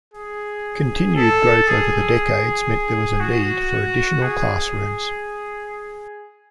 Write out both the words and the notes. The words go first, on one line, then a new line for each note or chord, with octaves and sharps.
Continued growth over the decades meant there was a need for additional classrooms.
G#4
A4
G#4
F#4
G#4